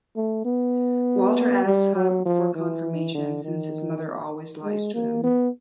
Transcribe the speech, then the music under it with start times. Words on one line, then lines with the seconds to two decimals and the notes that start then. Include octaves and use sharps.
Walter asks Hub for confirmation, since his mother always lies to him.
0.16 A3
0.45 B3
1.66 G3
1.96 F#3
2.25 F3
2.55 E3
3.14 D3
3.45 D#3
4.64 G#3
4.94 A#3
5.24 B3